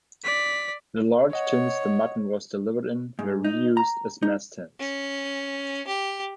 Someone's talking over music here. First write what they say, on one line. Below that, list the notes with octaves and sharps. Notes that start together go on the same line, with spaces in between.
The large tins the mutton was delivered in were reused as mess tins.
D5 B6
C#5 D#5 F#5
G#2
D#4
A#5
D#4
C#4
G4